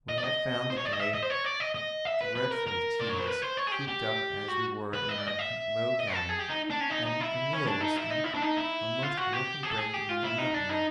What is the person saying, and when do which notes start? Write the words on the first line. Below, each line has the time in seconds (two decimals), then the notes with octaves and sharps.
We had found the day dreadfully tedious, cooped up as we were in our low cabin, and a meal was a most welcome break in the monotony.
0.09 D#5
0.18 D5
0.24 D#5
0.70 C5
0.77 C#5
0.85 D5
0.92 D#5
1.00 E5
1.15 D#5
1.23 C5
1.30 C#5
1.45 D5
1.60 D#5
1.75 D#5
2.05 E5
2.21 B4
2.35 B4
2.51 A#4
2.66 A#4
3.00 D5
3.09 C#5
3.18 C5
3.26 B4
3.42 C5
3.57 C#5
3.67 G#4
3.72 G4
3.88 G4
4.48 F#4
4.93 B4
5.09 D#5
5.18 D5
5.28 D#5
5.39 E5
6.00 D#5
6.15 A4
6.30 G#4
6.40 G4
6.50 D#4
6.70 D4
6.81 C#4
6.90 D#4
7.06 D#4
7.21 E4
7.54 C#4
7.67 D4
7.81 D#4
7.96 E4
8.11 D#4
8.24 E4
8.34 D4
8.42 D#4
8.57 E4
9.03 F4
9.17 F#4
9.33 G4
9.63 G#4
9.71 A4
9.78 G#4
9.94 G4
10.09 F4
10.24 E4
10.38 D#4
10.54 D4
10.69 D#4